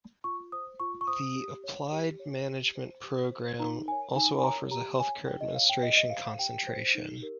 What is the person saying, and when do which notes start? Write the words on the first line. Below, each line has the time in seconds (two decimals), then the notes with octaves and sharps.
The Applied Management program also offers a Healthcare Administration concentration.
0.24 F4 C#6
0.52 C5 D#6
0.80 F4 C#6
1.01 C#6
1.07 C5 D#6
1.35 G4
1.64 C#5
1.92 G4
2.20 C#5
2.48 G4
2.75 C5
3.04 G4
3.31 C5
3.59 D#4 A#5
3.87 A#4 G#5
3.91 C#5
4.15 D#4 G#5
4.39 G#5
4.43 A#4 C#5 A#5
4.71 G4 A#5
4.99 C#5 G#5
5.27 G4 G5
5.41 D#5
5.55 C#5 F5
5.69 G5
5.83 G4 D#5
5.97 D#5
6.10 C5 F5
6.25 F5
6.39 G4 G5
6.67 C5
6.95 D#4
7.22 G4 A#4